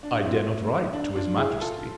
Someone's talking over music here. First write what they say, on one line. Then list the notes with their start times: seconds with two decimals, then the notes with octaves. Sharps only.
"I dare not write to his majesty."
0.03 D4
0.26 C4 E4
0.93 D4
1.15 D4 F4
1.37 E4 G#4
1.61 F4 A4